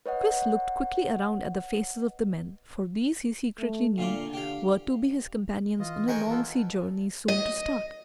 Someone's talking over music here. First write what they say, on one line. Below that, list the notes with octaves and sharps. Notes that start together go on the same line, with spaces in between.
Chris looked quickly around at the faces of the men, for these, he secretly knew, were to be his companions on a long sea journey soon to start.
B4 C#5 D#5 F#5
A3
A#2 D3 F4 D5
G4 F5
E3 F4 D#5
D#3 G#3 C4 G5 G#5 C#6
B3 F4 A4
D#5